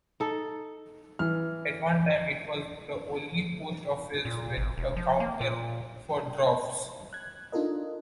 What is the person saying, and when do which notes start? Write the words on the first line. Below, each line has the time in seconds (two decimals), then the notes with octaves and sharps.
At one time, it was the only post office with a counter for dwarfs.
0.20 D#4 A4
1.19 E3 F6
4.25 A#2
4.57 G#1
4.78 E1
4.97 F3
5.20 A#3
5.41 A#2
7.13 F#6 G#6
7.52 D4 D#4 F4 A4 A#4 D#5